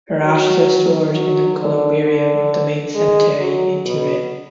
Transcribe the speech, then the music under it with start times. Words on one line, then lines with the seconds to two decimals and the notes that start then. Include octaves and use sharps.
Her ashes are stored in the columbarium of the main cemetery in Turin.
0.24 F#3
1.14 F#3
1.61 D3
2.05 D3
2.95 G#3
3.40 F#3
3.85 B2